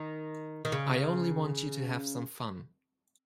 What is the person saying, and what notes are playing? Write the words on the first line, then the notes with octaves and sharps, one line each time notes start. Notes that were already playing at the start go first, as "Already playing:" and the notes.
I only want you to have some fun.
Already playing: D#3
D#3
C#3